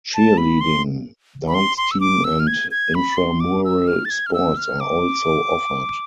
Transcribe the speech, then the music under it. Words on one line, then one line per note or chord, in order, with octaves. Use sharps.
Cheerleading, dance team and intramural sports are also offered.
A5
B5
C6
B5
C6
C6
E6
D6
E6
F6
G#6
G#6
B5
C6
D6
E6
F6
A6
G#6
F6
E6
F6
D6